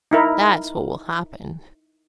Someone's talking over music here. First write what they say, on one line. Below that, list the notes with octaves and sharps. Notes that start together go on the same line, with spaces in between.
That's what will happen.
D#4 E4 A#4